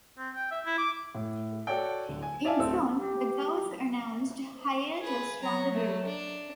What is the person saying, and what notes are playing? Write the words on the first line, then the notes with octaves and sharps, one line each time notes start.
In June, The Grouch announced hiatus from the group.
C4
G5
E5
E4
D6
A2
F#4 A4 C#5 D5 F#5 G5
D1 D3
G#5
D5 E5 F5 G#5 A5
D1 A3 C4 E6
G4
G#4 B4
F#3 A#5 C#6
A3
D4